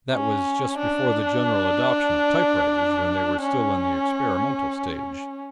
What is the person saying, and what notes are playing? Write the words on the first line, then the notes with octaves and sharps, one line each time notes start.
That was just before the general adoption of typewriters, when they were still in the experimental stage.
C#4
D4
C#4